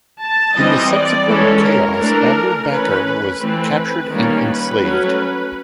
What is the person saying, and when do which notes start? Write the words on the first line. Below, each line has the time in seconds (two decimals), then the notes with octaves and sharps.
In the subsequent chaos Abu Bakr was captured and enslaved.
0.22 A5
0.57 E3 G3 C4 D#5
0.93 D5
1.28 E3 G#3 C#4 A4
1.64 A#4
1.99 E3 A3 D4
2.70 E3 A3 C#4 B4
3.06 B4
3.41 E3 A3 C4 B4
4.12 D#3 G3 A#3 C#4 A#4
4.48 B4
4.83 F#3 A3 C#4